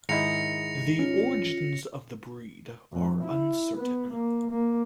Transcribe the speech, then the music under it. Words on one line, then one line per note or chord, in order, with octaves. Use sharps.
The origins of the breed are uncertain.
G#2 D#3 E4 D#5 A#6 C#7 F7
C#4 F4
F2
E4
B3
A#3
A#3